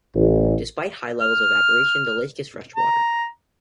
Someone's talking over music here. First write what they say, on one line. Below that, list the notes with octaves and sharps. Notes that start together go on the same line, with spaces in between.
Despite high levels of evaporation, the lake is fresh water.
A1
F6
A#5